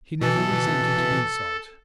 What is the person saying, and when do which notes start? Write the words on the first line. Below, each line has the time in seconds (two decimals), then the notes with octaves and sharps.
He never resented an insult.
0.21 B2 E3 A4